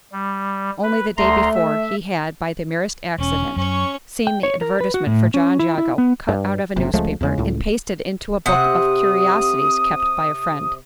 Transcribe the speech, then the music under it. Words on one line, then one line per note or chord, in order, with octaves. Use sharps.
Only the day before, he had, by the merest accident, seen the advertisement for John Jago cut out of a newspaper and pasted into a book of "curiosities" kept by a friend.
G3
B4
D2 A3 A#5 C6
E5
E1 C#4
F#2 C#4 C#5
G5
C#5
A#4
B4
F#4
A2
C#4
E4
E4
B3
G2
F#1 C3
C#2 F3 G#3 A3
E2 C#3 G#3
C#2 A2
C3 F#5 D#6